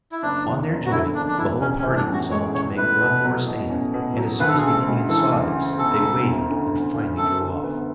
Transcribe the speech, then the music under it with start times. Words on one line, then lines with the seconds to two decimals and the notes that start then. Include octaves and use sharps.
On their joining, the whole party resolved to make one more stand, and as soon as the Indians saw this, they wavered and finally drew off.
0.12 E4
0.23 F#1 D4
0.46 E2
0.69 F#1
0.86 F#4
0.92 D3 E4
1.15 F#1 D4
1.28 D4
1.38 E2 E4
1.61 A1 C#4
1.79 C#4
1.84 A2
1.96 D4
2.08 C#4
2.13 F#4
2.30 G#3 C#5
2.54 A1 C#5
2.77 A2 B4
3.01 B2
3.24 F#3
3.47 B2
3.70 C#4
3.94 B2
4.17 F#3
4.40 D2 B4
4.48 A4
4.57 G#4
4.62 C#3 A4
4.86 G#3
5.09 E3 A4
5.32 D2
5.55 C#3
5.79 E1 A4
6.01 D2
6.25 E1
6.49 D3
6.71 E1
6.94 D2
7.17 F#2 A4
7.40 D3
7.63 B3